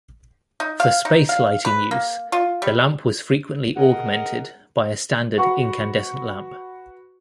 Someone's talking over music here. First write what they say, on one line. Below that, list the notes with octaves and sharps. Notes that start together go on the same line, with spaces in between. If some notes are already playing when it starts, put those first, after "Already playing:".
For space lighting use, the lamp was frequently augmented by a standard incandescent lamp.
D#4
F5
D#4
F5
B4
A#3
F4
G3
G#4 A#4 D#5 F#5
F#4 B4 F#5 C#6